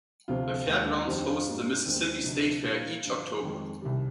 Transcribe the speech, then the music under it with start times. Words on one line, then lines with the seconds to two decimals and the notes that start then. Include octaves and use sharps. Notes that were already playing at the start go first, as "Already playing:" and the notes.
The Fairgrounds hosts the Mississippi State Fair each October.
0.28 D2 C3 F3 C4 F4
0.67 D#2 D#3 G#3
1.06 F2 D#3 G3 C4 G4
1.19 D#4
1.26 F4
1.46 G#2 G3 A#3 D4
1.85 D#2 D#3 G#3 C4
2.24 D2 C3 F3 D#4
2.64 A#2 G3 A#3 F4
3.04 G2 D3 F3
3.42 F2 D#3 G#3
3.81 C2 C3 D#3 G3